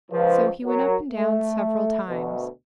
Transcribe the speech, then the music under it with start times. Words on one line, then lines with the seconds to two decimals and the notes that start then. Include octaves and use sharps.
So he went up and down several times.
0.11 C#2 F3 B4
0.65 F#3 A#4
1.12 A3
2.08 D2 B2